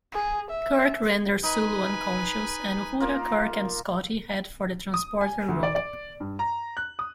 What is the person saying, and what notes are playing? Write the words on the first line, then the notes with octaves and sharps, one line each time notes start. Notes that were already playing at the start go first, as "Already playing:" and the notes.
Kirk renders Sulu unconscious, and Uhura, Kirk, and Scotty head for the transporter room.
G#4
E5
D#4 B4 G#5
A#3 F4 A#4
D#6
G#5
D2
D5
D5
G2
A#5
F#6
D#6